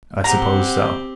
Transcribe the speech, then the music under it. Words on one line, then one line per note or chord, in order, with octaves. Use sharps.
"I supposed so."
C4 G4 F#5 A#5